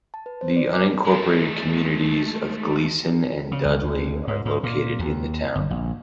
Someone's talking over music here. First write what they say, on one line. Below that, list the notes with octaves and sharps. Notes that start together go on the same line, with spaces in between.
The unincorporated communities of Gleason and Dudley are located in the town.
A5
B4
C5
D5
D6
G#3 A3
C#3
C#2
D2
G#2
G#2
A#2
D#2
G1
A#1